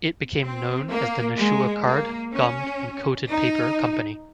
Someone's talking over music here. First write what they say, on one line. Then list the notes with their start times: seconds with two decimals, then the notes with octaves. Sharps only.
It became known as the Nashua Card, Gummed and Coated Paper Company.
0.41 C4
0.90 A#3
1.36 G#3
1.84 A#3
2.32 C#4
3.29 D#4